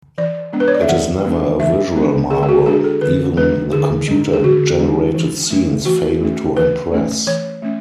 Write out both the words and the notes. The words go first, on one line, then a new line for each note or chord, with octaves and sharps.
It is never a visual marvel - even the computer-generated scenes fail to impress.
E3 D5
G#3 B3 D4
B4
C#5
D5
E5
E3 F#5
G#3 B3 D4
E3 E5
G#3 B3 D4
D3 G#4
G#4
F#4
G#3 D4 G#4
A4
D3 B4
G#3 D4 B4
D3 G#4
G#3 D4
G#4
D3 F#4
G#3 D4
E3
A3 C#4
E3 F#4
A3 C#4
E3 B4
A3 C#4
E3 C#5
A3 C#4